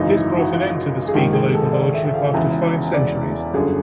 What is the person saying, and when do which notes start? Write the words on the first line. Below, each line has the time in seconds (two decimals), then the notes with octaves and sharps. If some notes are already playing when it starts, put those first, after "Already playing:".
This brought an end to the Spiegel overlordship after five centuries.
Already playing: G#1 F#2 C#3 E3 D#4
0.09 E4
0.38 F#4
0.54 F4
1.08 G#4
1.14 A#1 G#2 D#3 G4
1.33 G#4
1.54 A4
1.73 D5
1.94 E5
2.05 E5
2.14 F5
2.34 E1 E2 C#3 E3 E5
2.94 D5
3.53 G1 F#2 D3 G#4